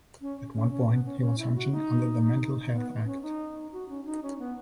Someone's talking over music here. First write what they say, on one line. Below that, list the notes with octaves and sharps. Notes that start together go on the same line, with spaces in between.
At one point he was sectioned under the Mental Health Act.
C#4
C#4
C#4
B3
C#4
C#4
E4
F#4
D#4
B3
C#4
D#4
F#4
C#4
D#4
C#4
B3